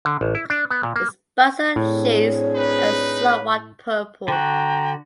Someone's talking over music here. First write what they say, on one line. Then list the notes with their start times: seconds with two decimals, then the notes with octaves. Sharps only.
Its basal sheaths are somewhat purple.
0.05 D3
0.21 A1
0.35 E4
0.50 D4
0.71 B3
0.83 A#2
0.96 A#3
1.76 A2 C4 D4 G#4 C#5
2.56 D#4 B4
4.28 D3 F#4 G5 A#5